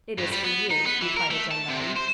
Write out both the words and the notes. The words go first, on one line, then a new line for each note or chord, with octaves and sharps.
"It is for you," replied a gendarme.
G2
G3
B3
D#4
B3
E3
A#4
A3
A5
C3
C3
C5